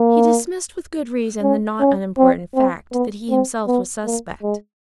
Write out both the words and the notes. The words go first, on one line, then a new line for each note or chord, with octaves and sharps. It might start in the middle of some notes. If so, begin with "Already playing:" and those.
He dismissed with good reason the not unimportant fact that he himself was suspect.
Already playing: A#3
C#4
C#4
C4
C4
B3
C4
B3
A#3
G#3